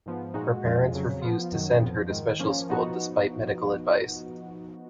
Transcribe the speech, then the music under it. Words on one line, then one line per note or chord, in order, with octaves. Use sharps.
Her parents refused to send her to special school despite medical advice.
G#2 F3 B3
A#2 G#3 D#4 F#4
F2 F3 G#3 C#4 F4
F2 C#3 F#3
F3 B3 F4
F#2 D#3 F#3
F2 F3 B3
G#2 D#3 G#3
F3 A#3 C#4
F3 B3 D#4 F#4